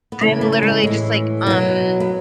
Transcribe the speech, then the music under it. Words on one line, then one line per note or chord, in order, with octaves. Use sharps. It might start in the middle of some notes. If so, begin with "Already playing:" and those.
I'm literally just, like, um
B3
C#3 E3 A3
A3
A3
G#3
A2 E3
B2 F#3
B3